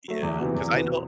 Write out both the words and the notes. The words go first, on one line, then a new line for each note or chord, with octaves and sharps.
Yeah, 'cause I know
F#3 A3
E2
C3 E3 B3 F#4
E2
C3 E3 B3 F#4
B2